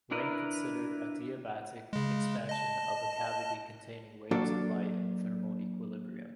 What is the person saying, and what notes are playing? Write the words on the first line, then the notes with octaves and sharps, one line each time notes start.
Wien considered adiabatic expansion of a cavity containing waves of light in thermal equilibrium.
D4 E4 A#4 B4
C#3 G#3
D#5 A5
F#3 A#3 D4 F#4 A4 D5